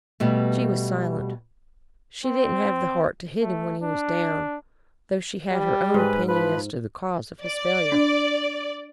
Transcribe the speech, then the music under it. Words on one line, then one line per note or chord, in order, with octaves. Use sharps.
She was silent; she didn't have the heart to hit him when he was down, though she had her own opinion as to the cause of his failure.
B2 G3 A3
C4
A3
D4
G3
G#2 B4 G#5
F3 B4 B5
D5
D4